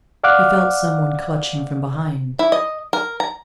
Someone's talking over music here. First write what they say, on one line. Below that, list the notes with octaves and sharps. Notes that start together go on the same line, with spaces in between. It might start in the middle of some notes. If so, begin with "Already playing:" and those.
He felt some one clutch him from behind.
D5 F5 F#5 D6 F6 F#6
E4
D#5
A#4
A#5